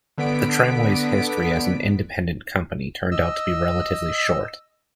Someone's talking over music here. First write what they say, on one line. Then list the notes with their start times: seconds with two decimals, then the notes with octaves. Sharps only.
The tramway's history as an independent company turned out to be relatively short.
0.18 D3 B3 B6 D7
3.11 D#5 E6